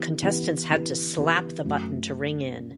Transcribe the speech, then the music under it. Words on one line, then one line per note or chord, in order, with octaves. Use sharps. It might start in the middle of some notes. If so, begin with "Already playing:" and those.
Contestants had to slap the button to ring in.
Already playing: E3 B3 E4 G4 B4
E3 B3 E4 G4 B4
E3 B3 E4 G4 B4
E3 B3 E4 G4 B4
F#2 F#3 A3